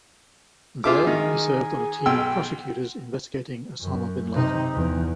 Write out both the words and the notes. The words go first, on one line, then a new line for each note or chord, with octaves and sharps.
There, he served on a team of prosecutors investigating Osama bin Laden.
F4 G#4 E5 D6
D#3
B1 G5 E6
F#2
C3 D#4
E2